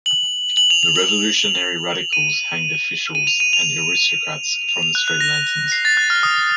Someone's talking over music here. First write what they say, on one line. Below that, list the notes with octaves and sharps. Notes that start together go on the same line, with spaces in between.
The revolutionary radicals hanged officials and aristocrats from street lanterns.
F#7
F#7
F7
F7
F#7
F7
D#7
D#7
F7
D#7
F7
F7
F7
F#6
F#6
A#6
C7
A6
F#6
F6
D#6